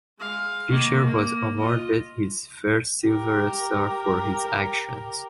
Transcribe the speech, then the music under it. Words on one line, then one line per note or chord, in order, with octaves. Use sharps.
Fisher was awarded his first Silver Star for his actions.
G#3 F5
D#3 A#3
A#3
F4 D#5
G4 A#4